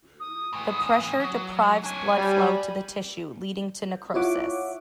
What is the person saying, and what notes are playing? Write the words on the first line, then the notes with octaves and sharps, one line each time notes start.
The pressure deprives blood flow to the tissue, leading to necrosis.
D#6
A2 E3
F#3
D4 C#5 G#5
G3 B3 B5
E4 F4 C#5 E5 F#5 D6